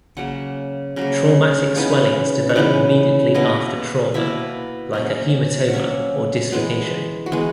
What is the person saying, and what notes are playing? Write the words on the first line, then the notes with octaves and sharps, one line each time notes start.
Traumatic swellings develop immediately after trauma, like a hematoma or dislocation.
C#3 F#3 A#3 F#5
C#3 F#3 A#3 A#4
C#3 E3 B3 D#4 B4
C#5
C#3 E3 B3 D#4 B4
B2 A#3 E4 D#5
B2 A#3 E4 E5
F#3 A#3 C#4 D#5
F#5
F#3 A#3 C#4 E5
E3 G#3 B3
F#4
E3 G#3 B3 G#4